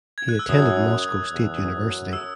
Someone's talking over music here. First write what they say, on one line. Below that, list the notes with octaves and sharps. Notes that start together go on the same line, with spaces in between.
He attended Moscow State University.
G#6
F#6
E6
F#2 D#6
E2
F#2
E6